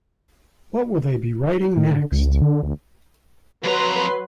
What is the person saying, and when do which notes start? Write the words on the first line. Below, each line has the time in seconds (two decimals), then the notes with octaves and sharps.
What will they be writing next?
1.76 A2
1.95 D3
2.12 C#2
2.24 C#2
2.42 D3
2.63 D2
3.64 F2 F#3 B4 A#5 C6